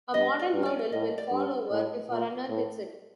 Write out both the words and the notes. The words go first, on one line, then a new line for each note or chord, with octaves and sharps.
A modern hurdle will fall over if a runner hits it.
G2 D#5
D5
G2
D5
A2 D#5
D5
G2
A2
A#2
A2